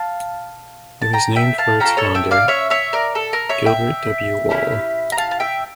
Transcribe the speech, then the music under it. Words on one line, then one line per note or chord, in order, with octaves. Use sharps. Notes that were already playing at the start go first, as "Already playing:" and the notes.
It was named for its founder Gilbert W. Wall.
Already playing: F5 A5
A5
G5 A#5
E5 G5
F5 A5
C#4 F4 A4 G5 A#5
A4 C#5
E5 G5
D5 F5
C#5 E5
C#5 E5
A#4 D5
A4
A#4
C#5 E5
E5 G5
C#4 E4 G4
A#5
F5 A5
A5
E5 G5